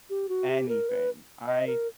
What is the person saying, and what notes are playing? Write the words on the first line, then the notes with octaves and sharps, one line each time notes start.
anything. I
G4
F#4
G4
A#4
B4
D#5
A#4